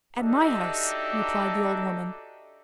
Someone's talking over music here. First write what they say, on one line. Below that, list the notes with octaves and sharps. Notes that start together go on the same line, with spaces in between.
"At my house," replied the old woman.
D4 D#4 F#4 G4 A4 E5